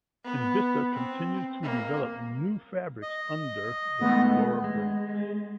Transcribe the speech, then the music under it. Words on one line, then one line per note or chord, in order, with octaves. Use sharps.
Invista continues to develop new fabrics under the Cordura brand.
B3
C4
A#3
D#5
D#3 G#3 A3 B3
G#3